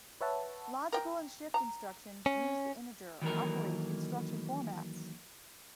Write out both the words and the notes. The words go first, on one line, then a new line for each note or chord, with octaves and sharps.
Logical and shift instructions use the integer operate instruction formats.
B4 C#5 E5 F#5 A5
A#4 G5
A#5
C#4
D#3 E3 F#3 A#3 A4 A#4